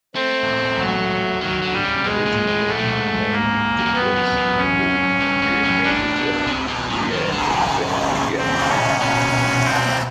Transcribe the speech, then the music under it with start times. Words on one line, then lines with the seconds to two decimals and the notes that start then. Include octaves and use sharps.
Originally May Week took place in the week during May before year-end exams began.
0.15 A3 C4
0.78 F#3
1.41 D#3 F#3
1.62 D3
1.73 G3
1.84 C#3
2.04 B2 G#3
2.25 A#2
2.47 A2
2.68 G#2 A3
2.77 A2
2.87 G#2
3.32 A#3
3.78 F2
3.85 F#2
3.94 G2 B3
4.16 F#2
4.37 F#2
4.58 C#4
5.20 G2
5.42 G#2
5.64 A2
5.84 A2 D4
6.16 B2
6.47 C3
6.68 B2
6.90 A#2
7.11 D#3
7.32 D3
7.52 C#3
8.37 C4
8.69 C#4
9.01 B2 C#4
9.64 C4